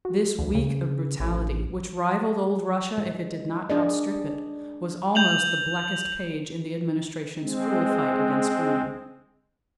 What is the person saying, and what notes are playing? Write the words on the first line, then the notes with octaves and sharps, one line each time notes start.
This week of brutality, which rivaled old Russia, if it did not outstrip it, was almost the blackest page in the Administration's cruel fight against women.
F#4
D2
C#3
A1
G#3
D4 G#4 D5 D#5
G6 F7 F#7
G#3 C4